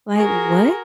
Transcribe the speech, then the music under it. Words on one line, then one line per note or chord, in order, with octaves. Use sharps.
like, what?"
F#4 G#4 A#4